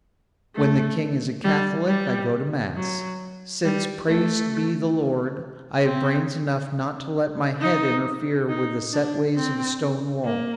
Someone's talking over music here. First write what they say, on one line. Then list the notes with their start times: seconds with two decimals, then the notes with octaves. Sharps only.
When the king is a Catholic I go to Mass; since, praised be the Lord, I have brains enough not to let my head interfere with the set ways of a stone wall.
0.56 A3
1.44 G3
1.88 G3
2.76 F#3
3.64 G3
4.08 A3
5.84 C4
7.61 D#4
8.49 D#4
8.93 D4
9.37 C4
10.25 A#3